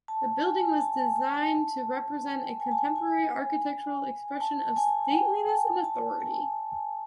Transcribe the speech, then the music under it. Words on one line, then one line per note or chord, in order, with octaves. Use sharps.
The building was designed to represent a contemporary architectural expression of stateliness and authority.
A5
G#5
A5
A5
A5
G#5
G5
G#5
A5
G#5
G#5
A5
G#5
G5
A5
A5
G#5